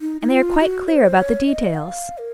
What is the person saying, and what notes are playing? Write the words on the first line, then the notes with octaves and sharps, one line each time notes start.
And they are quite clear about the details.
D#4
D#4
F4
F#4
C#5
C5
C#5
D#5
F#5
F5
A#4